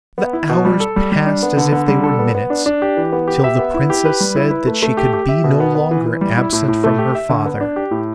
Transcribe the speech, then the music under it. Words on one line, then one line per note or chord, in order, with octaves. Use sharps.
The hours passed as if they were minutes, till the princess said that she could be no longer absent from her father.
B3
E4
B2
G3
A4
G3
G3
D4
B3
D3
D3
G3
A4
B3
B3
D4
D4
G4
E3
B3
G4
E5
B3
E4
G4
B4
G3
E4
B4
A3
A3
G4
G4
E5
B2
B3
B3
E3
E3
G3
E4
A2
A2
A3
G4
E5
D3
B3
D4
G4
A2